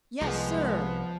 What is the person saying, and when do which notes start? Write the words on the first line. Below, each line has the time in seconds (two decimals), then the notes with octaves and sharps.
"Yes, sir."
0.22 C2 F3 G#3 B3